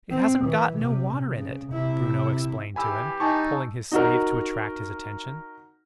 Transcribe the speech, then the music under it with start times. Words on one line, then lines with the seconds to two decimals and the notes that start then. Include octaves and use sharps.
"It hasn't got no water in it!" Bruno explained to him, pulling his sleeve to attract his attention.
0.11 C4
0.46 E3
0.78 C3
1.37 C#3
1.73 C3 E4
2.76 E3 G4 G#5 B5 E6
3.20 D#4 G#5 A5 C#6
3.92 D#4 F#4 A#4